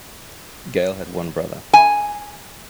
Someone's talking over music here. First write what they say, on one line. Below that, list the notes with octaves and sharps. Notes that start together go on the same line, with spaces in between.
Gale had one brother.
G#5